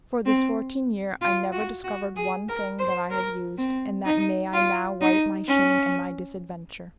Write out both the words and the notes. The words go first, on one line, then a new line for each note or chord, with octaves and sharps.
For this fourteen year I never discovered one thing that I have used, and that may I now wite my shame and my disadventure.
C4
F4
F#4
F#4
G#4
A#4
C5
A#4
C4
D#4
F4
D#4
C#4